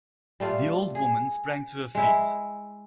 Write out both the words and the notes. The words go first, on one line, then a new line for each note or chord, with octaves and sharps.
The old woman sprang to her feet.
G3 A3 F4
G#4
G#3 E4